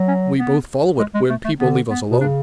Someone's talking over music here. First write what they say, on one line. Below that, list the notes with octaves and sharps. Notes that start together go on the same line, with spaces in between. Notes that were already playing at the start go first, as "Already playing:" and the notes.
We both follow it, when people leave us alone.
Already playing: F#3
C#4
B3
G#3
G#3
A3
A3
D3 B3
B3
B2
C#3 D4